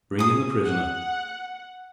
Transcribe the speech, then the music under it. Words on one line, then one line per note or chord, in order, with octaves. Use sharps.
"Bring in the prisoner."
G#4 D#6
F#5